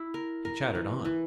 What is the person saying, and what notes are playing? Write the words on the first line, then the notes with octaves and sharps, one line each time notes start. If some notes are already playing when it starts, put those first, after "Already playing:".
He chattered on.
Already playing: E4
A#4
A#4
E3
E3